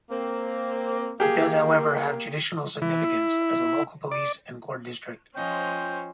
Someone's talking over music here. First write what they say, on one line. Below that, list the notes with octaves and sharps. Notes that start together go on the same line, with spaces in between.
It does, however, have judicional significance, as a local police and court district.
A#3 C4
A#3 G4 G#4
E3
E4
D5
F3 C#4 F4 C5 D#5 G5